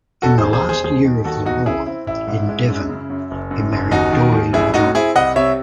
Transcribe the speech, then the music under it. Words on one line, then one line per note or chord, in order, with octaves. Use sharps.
In the last year of the war, in Devon, he married Doreen John.
E1 F#4 A4
G#4 C5
D#2
G#4 C5
E1
G#4 C5
D#2 G#4 C5
D#3
D#2 F#4 A4
E2 D#4 F#4
C#3 E4 G#4
C4 E4
A1 E4
G#2
G#3
F#2
C#3
F#2
F#1
F#2
F#1
D#2 D#4 F#4
D#3
D#2
A1 E4 G#4
A2 D#4 F#4
C4 E4 G#4
C2 D#5 F#5
C3 C#5 E5